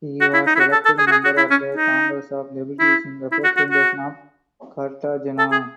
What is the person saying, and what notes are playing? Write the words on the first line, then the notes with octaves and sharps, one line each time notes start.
He was elected member of the Congress of Deputies in representation of Cartagena.
F#4
E4
D#4
E4
F#4
A4
A4
G#4
F#4
G#4
F#4
E4
C#4
D#4
E4
E4
F#4
F#4
F#4
A4
G#4